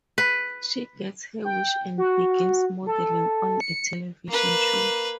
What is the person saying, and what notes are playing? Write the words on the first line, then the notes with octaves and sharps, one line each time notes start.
She gets her wish and begins modeling on a television show.
B4
G5
F#4
A4
C#7
A#3 B4